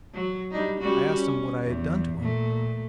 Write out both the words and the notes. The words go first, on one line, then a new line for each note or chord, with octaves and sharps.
I asked him what I had done to him.
F#3
G3 D4 D#4
G3 C#4 F#4
C#4
E2
A#2 A3